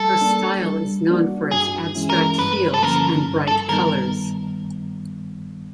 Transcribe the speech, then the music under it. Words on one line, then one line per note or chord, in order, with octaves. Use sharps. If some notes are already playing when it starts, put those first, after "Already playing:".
Her style is known for its abstract fields and bright colors.
Already playing: G3 A4
A#3 D4
G3
A#3 D4 F#4
G2 G#4
E3 G#3 C#4 E4
A#4
G2 B4
A4
D3 F3 A#3 C#4 A#4
G2
A4
D#3 G3 B3 D#4 A#4